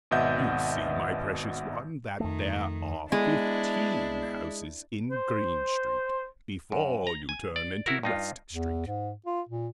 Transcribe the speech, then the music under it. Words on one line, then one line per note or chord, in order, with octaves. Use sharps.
"You see, my precious one, that there are fifteen houses in Green Street, before you turn into West Street."
G#1 B2 D#5 E5 F#5 G6
F2 D#3 A3
G#3 B3 D4 E4
C5
F#2
A#5
G#5
D5
E4 F#4 A#4
G2 D#4 F4
E2
G#2
F4
A#2